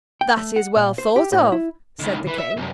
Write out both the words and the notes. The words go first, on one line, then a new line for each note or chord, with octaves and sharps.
"That is well thought of," said the King.
G5
A3
F#5
A#2
C5
G4
A2
E4
C#2 D#3
E3
E5
C2 F#2